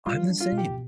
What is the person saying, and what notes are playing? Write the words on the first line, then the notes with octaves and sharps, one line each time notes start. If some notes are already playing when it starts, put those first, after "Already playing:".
I'm the same.
G3 F4
D4
F4
B2
G4